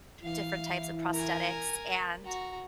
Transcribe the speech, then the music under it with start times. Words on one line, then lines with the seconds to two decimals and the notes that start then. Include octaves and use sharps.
different types of prosthetics and,
0.23 E3 E4 F5
1.14 A#4 G#5
2.25 F#4 A#5